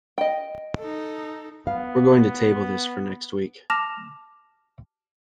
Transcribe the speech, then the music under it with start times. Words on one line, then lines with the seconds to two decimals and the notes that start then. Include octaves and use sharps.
We're going to table this for next week.
0.18 D#5 G5
0.78 D#4 A4
1.67 B3 F5
3.70 A5 D6 F6 A#6 E7 F7